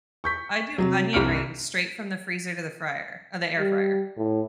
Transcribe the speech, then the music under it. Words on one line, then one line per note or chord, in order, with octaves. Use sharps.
I do onion rings straight from the freezer to the fryer. Or the air fryer.
C#6 G6 B6
C3 F#3
C2 G2 F6 D7
G3
A2